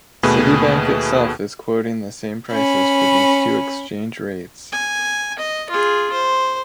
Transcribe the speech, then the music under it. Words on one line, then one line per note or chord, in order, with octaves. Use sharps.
Citibank itself is quoting the same prices for these two exchange rates.
D#2 B2 A3 G#4 B4
C#4 B5
G#5
D#5
F4 G#4
C5